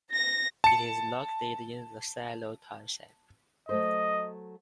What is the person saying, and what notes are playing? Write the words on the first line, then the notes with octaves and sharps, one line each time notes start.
It is located in the Shiloh township.
A#6
A5 C#7
F#3 A3 C5 D#5